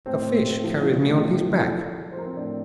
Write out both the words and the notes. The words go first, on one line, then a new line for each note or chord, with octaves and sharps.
'A fish carried me on his back.'
A2 C4 C5
A2
A2
F3
F3
A2
F3
F3
F3 A4
F3
F3
C5
F3 A#4
C4 C5
A2 D4 D5